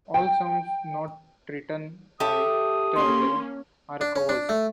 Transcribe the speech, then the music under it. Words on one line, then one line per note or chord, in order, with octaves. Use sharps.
All songs not written by Thirlwell are covers.
G5
G4 A4 E5 D#6
A#3 C#4 C6
D4
C#4
D4
A3